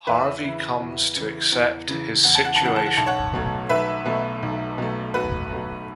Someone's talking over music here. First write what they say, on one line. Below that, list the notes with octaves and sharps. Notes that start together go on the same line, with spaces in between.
Harvey comes to accept his situation.
E2 B4 E5
C#3 E3
E2
C#3 E3
E2
C#3 E3
E2 F#5
A5
F#5
A5
C#3 E3 F#5
A5
F#5
B1 A5
C#5 F#5
B2 F#3 A3
B1 B4 E5
B2 F#3 A3
B1
B2 F#3 A3
B1 F#4 B4
B2 F#3 A3